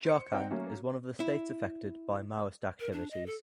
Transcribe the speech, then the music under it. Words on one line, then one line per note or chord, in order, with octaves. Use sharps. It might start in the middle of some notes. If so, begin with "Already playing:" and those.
Jharkhand is one of the states affected by Maoist activities.
C5 C#7
C4 D#4 C5 D5 F#5 G5
F#3 A3 A#3 C#4
E4
A#4
D4
D#5
A4